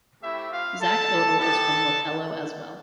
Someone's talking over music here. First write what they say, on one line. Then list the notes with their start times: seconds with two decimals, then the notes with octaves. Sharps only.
Zach Odle Is from Wapello as well.
0.22 A3 C4 E4 G4 E5
0.51 F4 F5
0.81 A4 A5
1.39 B3 E4 G4 A4 A5